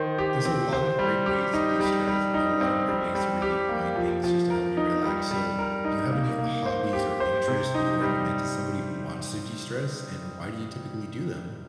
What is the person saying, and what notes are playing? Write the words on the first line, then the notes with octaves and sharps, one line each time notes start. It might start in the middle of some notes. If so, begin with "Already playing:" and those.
There's a lot of great ways to destress, a lot of great ways to really find things just to help you relax, so do you have any hobbies or interests you would recommend to somebody who wants to destress, and why do you typically do them?
Already playing: D#3 C5
G4
C4
C5
G3
G4
D#4
G3
G3
D#4
C4
G3
G3
G4
A#3
F3
F3
A#4
D#4
G3
G3
A#4
D#4
A#3
A#3
C5
G4
C5
C3
D#4
G3